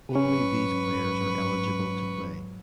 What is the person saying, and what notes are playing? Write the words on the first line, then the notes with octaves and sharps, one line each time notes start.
Only these players are eligible to play.
G#2 F#3 C#4 B4 C#6